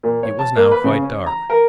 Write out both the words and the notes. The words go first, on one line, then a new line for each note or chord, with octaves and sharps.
It was now quite dark.
A#2
C#5
A5
A#3
B4
C#3
C#4
A#5
A#4